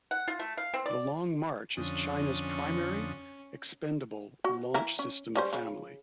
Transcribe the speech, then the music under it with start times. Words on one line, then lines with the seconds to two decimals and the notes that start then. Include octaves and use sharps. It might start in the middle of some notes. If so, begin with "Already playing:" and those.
The Long March is China's primary expendable launch system family.
0.11 F#5
0.28 F4
0.39 A3
0.57 F5
0.74 C4
0.86 D5
1.77 F2 D3 C#4 D#6
4.44 F#4
4.74 E3 E4 A#5
4.99 C#4
5.35 G3 C#4 C5
5.53 C#3